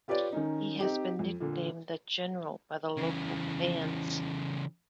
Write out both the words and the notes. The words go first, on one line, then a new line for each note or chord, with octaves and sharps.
He has been nicknamed "The General" by the local fans.
F4 G4 B4 C#5 D5
D#3 C#4 D#4
C4 D#4 G4
F2
A#2 D3
C#3 E3